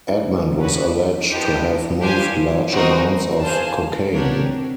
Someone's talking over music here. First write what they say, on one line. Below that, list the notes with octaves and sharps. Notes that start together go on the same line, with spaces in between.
Edmond was alleged to have moved large amounts of cocaine.
E4
F4
F4
C#4 E4 F#4 B4
D4
B3 D4 E4 G4 C5 D#5
D4 F#4 G4 C5 F5 G#5
F4
E4
F4
C4 D#4 E4 F#4 A#4 D#5
G#4 C5 F5 A5
C4 D4 G4 A#4 C#5 F#5